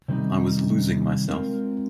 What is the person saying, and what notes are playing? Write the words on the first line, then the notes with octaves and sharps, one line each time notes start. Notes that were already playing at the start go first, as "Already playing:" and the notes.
I was losing myself.
C3 D#3 G3 C4 D#4
G#3 C4 F4 A#4